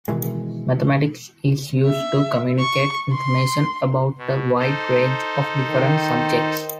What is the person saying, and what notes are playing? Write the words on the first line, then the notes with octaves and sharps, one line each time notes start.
Mathematics is used to communicate information about a wide range of different subjects.
B2 D#3 E3 G#3
E5
C#6
C6
B2
D#4 A4 C5
D#3